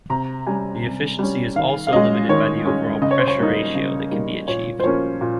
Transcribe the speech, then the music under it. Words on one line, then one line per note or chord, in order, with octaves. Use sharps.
The efficiency is also limited by the overall pressure ratio that can be achieved.
C3 A#5
G3 C#4 G#5
C3
G3 C#4
D#3 F5
F5
G#3 C#4 D#5
D#3 C#5
G#3 C#4
C#3 D#5
C#5
C5
C#5
G3 A#3 D#4
C#3
G3 A#3 D#4
A#2 C#5
C5
F3 A#3 C#4 C#5
A#2